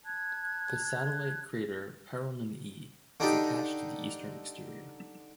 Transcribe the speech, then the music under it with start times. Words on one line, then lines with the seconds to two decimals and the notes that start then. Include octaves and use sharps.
The satellite crater Perel'man E is attached to the eastern exterior.
0.05 A5 F#6 G#6
3.20 D3 D4 D#4 G4 A4